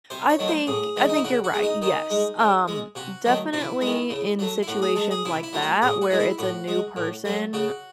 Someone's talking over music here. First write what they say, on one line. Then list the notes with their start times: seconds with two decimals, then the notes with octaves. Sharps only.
I think I think you're right, yes, um, definitely in situations like that where it's a new person
0.10 C3 C5
0.30 C#5
0.39 D#3 F#3 A3
0.48 C5
0.67 A2 G#4
0.96 E3 G#3
1.09 D#4
1.17 E4
1.24 C#3 F#4
1.44 F#4
1.54 G#3
1.63 D#4
1.82 D#3 D#4
2.10 G#3
2.39 C#3
2.68 G#3
2.95 C3 F#4
3.25 D#3 F#3 A3
3.53 C3 E4
3.81 G#3
3.86 D#3
4.10 C#3
4.39 F#3 A3
4.63 E4
4.68 A2 F#4
4.82 G#4
4.96 G#3 A4
5.11 G#4
5.25 C3 E4
5.43 E4
5.53 F#3 A3
5.62 F#4
5.82 A2 G#4
6.02 F#4
6.11 E3 G#3
6.20 E4
6.38 A2 F#4
6.68 G#3
6.96 A2
7.25 F#3 A3
7.53 C#3 F#4